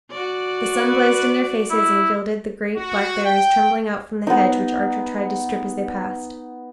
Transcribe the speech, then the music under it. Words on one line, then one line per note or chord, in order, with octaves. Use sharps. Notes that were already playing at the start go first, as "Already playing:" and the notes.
The sun blazed in their faces and gilded the great blackberries trembling out from the hedge which Archer tried to strip as they passed.
F#4 D5
B4
E4
F#4
G5
B3 D#4